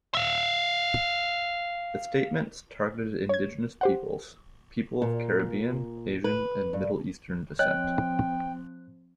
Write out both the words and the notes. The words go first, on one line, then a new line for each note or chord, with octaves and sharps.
The statements targeted indigenous peoples, people of Caribbean, Asian, and middle-eastern descent.
E5 F5
C#5 G#6
G4 C5 F#5
A#2
B4
G2
F3 C4 C#5 D#5 G5 F#6